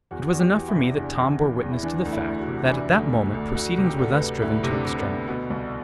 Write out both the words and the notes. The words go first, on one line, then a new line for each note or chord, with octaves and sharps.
It was enough for me that Tom bore witness to the fact that at that moment proceedings were thus driven to extremity.
E2 F#4
E2
G4
E3
E4
C3
E2 D4
E2
E3
E2
E4
E3 D4
D2
E4
D2
F#4
C3
D4
E3 E4
D2
D2
D2
D2 F#4
C3
G4
D2 A4
B4
D2
D2 E4
C3
D4
C3
B3
D2
B2 B3
C2